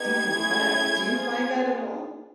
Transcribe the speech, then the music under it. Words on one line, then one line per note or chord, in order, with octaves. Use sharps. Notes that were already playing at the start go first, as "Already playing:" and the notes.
decompress." Do you find that at all?
Already playing: B3 D#4 G4 G#6
A3 C#4 E4 G#4
C4 F4 G#4